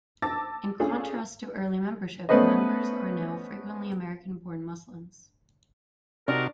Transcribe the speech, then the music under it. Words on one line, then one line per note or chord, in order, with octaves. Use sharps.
In contrast to early membership, members are now frequently American-born Muslims.
A5 D6 E6 A6 A#6
A3 C#4 D4 F4 G#4
A3 B3 C#4 B4 C5 D#5
C3 D4 D#4 F#4 A#4